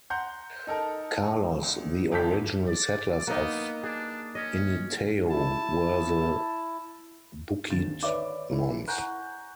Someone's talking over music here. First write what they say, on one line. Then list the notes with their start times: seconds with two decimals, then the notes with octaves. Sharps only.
Carlos, the original settlers of Initao were the Bukidnons.
0.10 F#5 A#5 C6 G6
0.67 D#4 A4 A#4 A5
1.63 D2
2.12 G#1 D2 A5 G6 B6
2.67 D5
3.27 A#3 B3 D#4
3.83 D4 G#4
4.35 C#4 D#5
5.30 E4 A5
7.68 G#1 D#2 D3 A6 E7
8.03 B4 C#5 D5 E5 D6
8.51 E4
8.88 F#5 G#5 A#5 C#6 F#6 G6